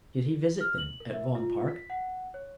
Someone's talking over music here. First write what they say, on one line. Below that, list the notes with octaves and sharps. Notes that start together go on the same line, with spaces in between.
"Did he visit then at Vaughan Park?"
F6
F#7
A#4
E5
F4
B6
F#5
C#5